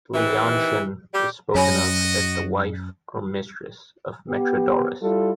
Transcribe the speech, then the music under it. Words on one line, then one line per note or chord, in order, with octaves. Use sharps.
Leontion is spoken of as the wife or mistress of Metrodorus.
C3 D#3 E3
G3 G4
F#2 F#4 C#5 D#5 G#5 B5
B3 G4
G3 E4 F4 A4